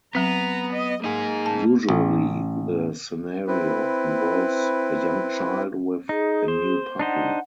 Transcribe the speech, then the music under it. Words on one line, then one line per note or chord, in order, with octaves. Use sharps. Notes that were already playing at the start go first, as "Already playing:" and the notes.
Usually, the scenario involves a young child with a new puppy.
F#3 B3 C4 A#5
D#5
A#3 D#4 G#4
A5
A1
C4 E4 B4
D#4 G#4
C5
D4 D#4 C5 F#5